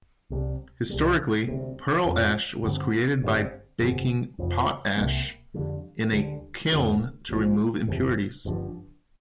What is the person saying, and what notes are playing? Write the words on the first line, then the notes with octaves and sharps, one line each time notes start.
Historically, pearl ash was created by baking potash in a kiln to remove impurities.
C2 C3 G3
C2 C3 G3
D2 C3 G3 C4
F1 F2 F3 C4
G2 D3 G3 C4
G1 G2 G3 C4
G1 F2 C3
F1 F2 F3
C2 C3 G3 A#3
F2 D3 G3
D2 D3 G3
F2 D3 A#3 D4
A#1 A#2 F3
G1 F2 C3
G1 G2 F3 D4